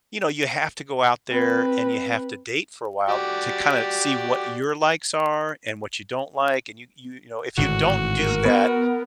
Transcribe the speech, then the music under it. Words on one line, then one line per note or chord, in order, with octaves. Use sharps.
you know, you have to go out there and you have to date for a while to kinda see what your likes are and what you don't like, and you you you know, if you don't do that,
C4 B4
F#4 G4 D5
G#1 A2 D3 F#4
A#4
B3